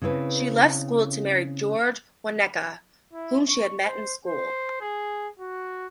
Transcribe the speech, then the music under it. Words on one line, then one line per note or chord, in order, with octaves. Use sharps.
She left school to marry George Wauneka, whom she had met in school.
C#3 C4 E4 B4
E4
C#6
C5
C5
G#4
F#4